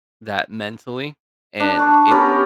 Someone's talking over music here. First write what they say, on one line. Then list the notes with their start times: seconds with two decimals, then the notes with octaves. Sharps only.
that mentally and it's
1.60 D4
1.77 A5 C#6
2.11 B3 C#4 G4 A#4